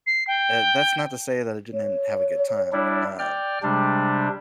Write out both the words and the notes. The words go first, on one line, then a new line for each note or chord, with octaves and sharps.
uh, that's not to say that I didn't have a good time, um,
C7
G5
C#5
G3 D4 E4
D5 G5 F6
C3 G3 G#3 D4